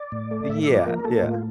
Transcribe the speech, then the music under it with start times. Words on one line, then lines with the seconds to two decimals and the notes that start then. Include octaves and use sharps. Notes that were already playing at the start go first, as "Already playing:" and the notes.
Yeah, yeah.
Already playing: D5
0.12 A2
0.31 A3
0.49 A2 E5
0.63 E5
0.67 F3 D5
0.86 A#3 A#4
1.05 A#3 A4
1.23 A2 F4